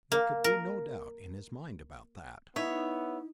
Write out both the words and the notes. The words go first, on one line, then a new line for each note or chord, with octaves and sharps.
There could be no doubt in his mind about that.
A#3
A#4
B3 D#4 E4 C#5 E5